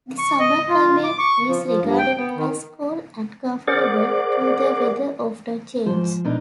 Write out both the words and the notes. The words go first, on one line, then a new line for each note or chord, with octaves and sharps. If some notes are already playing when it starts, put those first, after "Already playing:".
The summer climate is regarded as cool and comfortable, though the weather often changes.
C#6
D#5
F4
D6
C#6
F3
F3
G2
G5
B3
D#3
G#4 A#4 C5 D5 F#5 D6
G#2 F3 C5
B2 D4 D#4